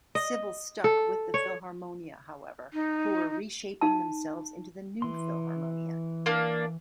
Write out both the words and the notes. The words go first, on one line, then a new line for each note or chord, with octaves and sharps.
Civil stuck with the Philharmonia however, who were reshaping themselves into the New Philharmonia.
D#5
A4
C#5
D#4
D#4 F5 A5
E3 C6
A#3 D4